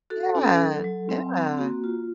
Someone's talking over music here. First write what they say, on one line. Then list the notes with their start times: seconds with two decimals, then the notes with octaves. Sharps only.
Yeah, yeah.
0.10 F#4 A4
0.35 C#4
0.60 F#3
0.84 F#3
1.09 C4
1.34 C4
1.58 A#3 F#4
1.84 F4